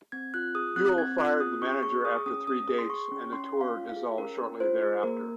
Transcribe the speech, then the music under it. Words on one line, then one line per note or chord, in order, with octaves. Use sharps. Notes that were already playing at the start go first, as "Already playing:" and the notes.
Yule fired the manager after three dates and the tour dissolved shortly thereafter.
C4 G#6
F4 F#6
G#4 D#6
C4 F#6
C4 G#6
F4 F#6
G#4 D#6
C#4 C#6
G#4 C#6
G#4 D#6
C#4 D#6
C#4 D#6
G#4
C6
G#4 C#6
C#4
C#4 C6
C#4
F5
F4
F5
G#4
C#4 A#4
C#4
F4 C5
G#4
A#3 A#4